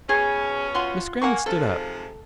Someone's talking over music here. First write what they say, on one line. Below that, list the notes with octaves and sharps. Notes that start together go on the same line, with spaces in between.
Miss Grammont stood up.
B2 C#4 G#4
F4 F#5 C6
A#3 F#5 G#5 C#6
G#2 C3 F3 A4